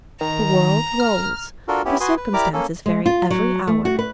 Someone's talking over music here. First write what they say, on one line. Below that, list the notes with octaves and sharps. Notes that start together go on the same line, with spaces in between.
The world rolls; the circumstances vary every hour.
D#3 A#5
F6
D4 F4 F#4 A4 A#4
B3 C#4 E4 G4
F#4 B4 G#5 C6 D#6
B4
E4 G4 A#4 D5 A#5 D6
A#3 C#4 A4
G#3
F4
F#3
A3
F#4
B4